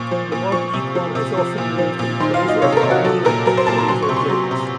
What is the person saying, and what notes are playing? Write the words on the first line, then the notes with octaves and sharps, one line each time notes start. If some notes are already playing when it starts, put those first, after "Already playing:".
The word "equal" is often used in place of "congruent" for these objects.
Already playing: A#2 F3 C#6
F3
A#2
F3 C#6
C3
F3
C3
F3
A#2
F3
A#2
D#3 C6
F5
F#3
D#5
C3 C#5
A4
A#4
C3
F#4
F#3 A4
A#2 A#4
F#3 A#4
C5
A#2 A5
A#5
F#3 C6
C#6
C3
C6
F#3
C3